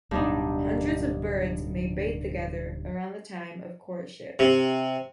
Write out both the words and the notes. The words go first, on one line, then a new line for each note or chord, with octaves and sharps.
Hundreds of birds may bathe together around the time of courtship.
D1 G2 B2 D4 D#4
C3